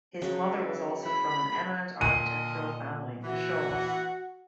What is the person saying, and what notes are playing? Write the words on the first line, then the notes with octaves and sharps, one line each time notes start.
His mother was also from an eminent architectural family, the Shaws.
C#3 F#3
E4 B5
A#2 D3 F4 D#5 D#7
E3 F#4